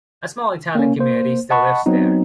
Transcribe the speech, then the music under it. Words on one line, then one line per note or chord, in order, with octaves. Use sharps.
A small Italian community still lives there.
A#3 C#4
A#3 C5
D#5 F#5 A5 B5 C#6
F#3 B3 C4 D#4